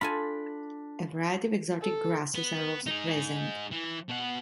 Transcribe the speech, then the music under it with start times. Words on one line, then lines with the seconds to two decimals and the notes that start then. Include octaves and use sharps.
A variety of exotic grasses are also present.
0.01 D4 F4 A4 G#5 B5
1.82 A4
2.35 B3
2.86 D#4 G#4
3.72 E3
4.09 B2 F#5